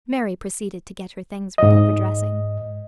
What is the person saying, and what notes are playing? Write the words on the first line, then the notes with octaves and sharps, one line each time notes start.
Mary proceeded to get her things ready for dressing.
G#2 D#5